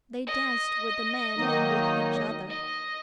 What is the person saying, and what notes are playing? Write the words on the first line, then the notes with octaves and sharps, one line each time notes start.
They danced with the men and with each other.
D#5
D#3 F#3 A#3 D#4
D#5